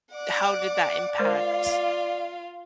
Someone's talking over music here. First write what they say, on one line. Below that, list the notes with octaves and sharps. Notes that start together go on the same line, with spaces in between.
how did that impact
D5 F#5 D6
G#3 F4 A#4 C5 F5